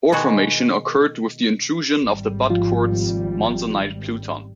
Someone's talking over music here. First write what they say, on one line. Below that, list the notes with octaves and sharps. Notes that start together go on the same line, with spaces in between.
Ore formation occurred with the intrusion of the Butte quartz monzonite pluton.
B2 D#3 G#3 F#4
G#1 G3
F3 F4